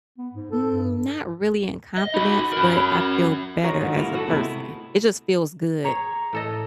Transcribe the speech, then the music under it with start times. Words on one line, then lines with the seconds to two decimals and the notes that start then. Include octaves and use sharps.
Mm, not really in confidence, but I feel better as a person, it just feels good,
0.18 B3
0.34 G#2
0.51 A4
0.71 G2
1.98 D#5
2.14 D#4 F#4 B5
2.53 F#4 A#4
3.63 F4 F#4 A#4 C#5 D#5 F#5
3.81 G#2 D3 D#3
3.97 G3 A#3 E4 F4
4.15 F#4 G#4 A4
4.28 C3 G#3 A3 B3 E4
5.84 G#4 C#5 A#5
6.33 A2 A4 D#5